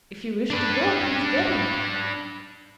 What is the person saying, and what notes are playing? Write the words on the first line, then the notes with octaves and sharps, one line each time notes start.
"If you wish to go, please get in."
D4 B4